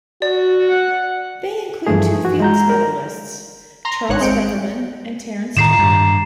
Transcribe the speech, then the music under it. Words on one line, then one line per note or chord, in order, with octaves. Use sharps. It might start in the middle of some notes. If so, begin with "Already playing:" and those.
They include two Fields medalists, Charles Fefferman and Terence Tao.
F#4 D5
F#5
G2 E3 F3 A3 G#4
F#4
G#3 A#5 G6
A#4
A#5 C6 A#6
G#1 G#2 C#5 F#6
G#3 C4 G6 C#7 D7
A2 D#3 A#5 C7 E7
G2